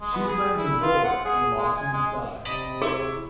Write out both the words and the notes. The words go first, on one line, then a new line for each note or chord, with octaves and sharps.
She slams the door and locks him inside.
G#3
B3
G#4
E4
F4
F#5
G#4
G#3
G#5
G#3
C3 D5 D#5 B5
E4 G#4 C#6